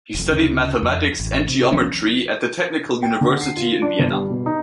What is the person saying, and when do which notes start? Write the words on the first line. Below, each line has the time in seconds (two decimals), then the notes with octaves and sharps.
He studied mathematics and geometry at the Technical University in Vienna.
0.15 F1 F2
0.29 D2 C#3
0.83 F2
1.20 A1
1.48 C3
1.72 D2 F3 B3 C#4
3.03 G5
3.21 D3
3.41 C7
3.57 F4
3.82 D4
3.99 G1
4.11 G3
4.30 B2
4.46 D#4